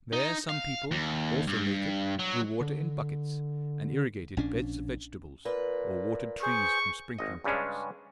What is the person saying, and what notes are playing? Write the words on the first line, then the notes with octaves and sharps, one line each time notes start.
There some people, also naked, drew water in buckets, and irrigated beds of vegetables, or watered trees from sprinkling-pots.
D#4
F5
D#2
G2
F#3
D3
A#1 C#4 D4
A#2 B4
G#4 C5 C#6
G#1 D#5
G2 C#3 G3 G#3 C#4 D4